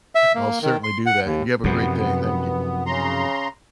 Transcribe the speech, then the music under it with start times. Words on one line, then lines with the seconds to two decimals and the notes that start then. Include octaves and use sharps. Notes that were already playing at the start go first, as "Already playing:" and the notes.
I'll certainly do that, and you have a great day, thank you.
0.15 E5
0.35 A#3
0.62 D#3
0.84 C6
1.06 F#5
1.25 D#2
1.64 F#2 C3 F3 B3
2.86 C#3 A#5 C6